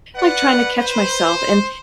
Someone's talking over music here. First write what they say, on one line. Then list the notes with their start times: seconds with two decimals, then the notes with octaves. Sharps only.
like, trying to catch myself and
0.16 B4 D5 F#5
0.79 C5